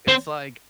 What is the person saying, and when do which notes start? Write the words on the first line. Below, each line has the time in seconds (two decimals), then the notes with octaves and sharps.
it's like,
0.08 C4